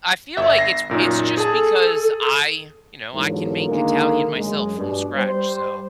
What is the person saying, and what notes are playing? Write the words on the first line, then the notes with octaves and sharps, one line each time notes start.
I feel like it's it's just because I, you know, I can make Italian myself from scratch. So
G1 E5
A#6 C7
F#2 A#2 D#4
G#4 A4 A5
E2 G#2 D3 F3 F#3 A#4
D3 D#3 G#3 A#3
F#2 G#3
G2 B2 D4
G3 C5